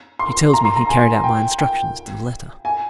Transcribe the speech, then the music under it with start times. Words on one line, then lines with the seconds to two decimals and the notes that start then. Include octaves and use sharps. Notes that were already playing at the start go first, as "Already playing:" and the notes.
He tells me he carried out my instructions to the letter.
0.19 C6
0.54 A#5
0.65 C6
0.76 A#5
0.89 G#5
1.24 G5
1.59 G5
2.65 G#5